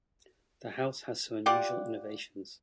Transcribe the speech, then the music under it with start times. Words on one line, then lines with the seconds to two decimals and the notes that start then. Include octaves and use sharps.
The house has some unusual innovations.
1.46 F4 G4 D5 F#5